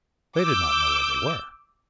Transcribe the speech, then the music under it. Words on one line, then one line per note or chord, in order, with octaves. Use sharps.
They did not know where they were.
D6 E6 G6